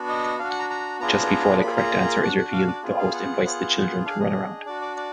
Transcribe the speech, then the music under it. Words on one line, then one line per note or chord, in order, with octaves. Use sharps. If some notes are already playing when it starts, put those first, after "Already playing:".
Just before the correct answer is revealed, the host invites the children to Runaround...
Already playing: B3 D4 F#4
D#5
D4 F#4 F5
F#5
A#5
A#5
B3 D4 F4 G#4 A#5
A#3 F4 G#4 B5
A#5
D4 F#4 F#5
F#5
F5
D5
B3 F4 G#4
F5
F#5
B3 F4 G#4
D4 G#4 F5
D#5
D4 F#4 D5
D5
D5